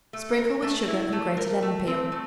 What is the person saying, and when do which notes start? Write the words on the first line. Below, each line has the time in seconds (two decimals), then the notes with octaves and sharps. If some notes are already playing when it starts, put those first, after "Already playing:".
Sprinkle with sugar and grated lemon peel.
0.13 A3
0.38 A#4
0.62 A3
0.88 E4
1.13 A3
1.37 A#4
1.62 A3
1.87 C4
2.12 A3